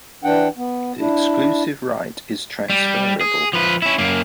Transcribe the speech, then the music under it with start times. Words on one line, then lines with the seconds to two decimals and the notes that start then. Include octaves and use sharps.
The exclusive right is transferable.
0.24 E3 D4 F#5 G5
0.57 B3
0.99 D4 E4
2.70 G3
3.21 G#4
3.53 F3 B4
3.82 C#4 E4
3.98 F#2 A#3